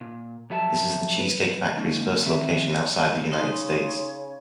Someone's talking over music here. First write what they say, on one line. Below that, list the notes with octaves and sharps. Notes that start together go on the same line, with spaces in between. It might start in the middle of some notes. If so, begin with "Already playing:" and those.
This is the Cheesecake Factory's first location outside the United States.
A#2
F2 F#3 E5 G#5 A5
B4
D3 G#3 A#3 C#4 D#4
D#3 C4 E5
C#3 D#4 C#5 C6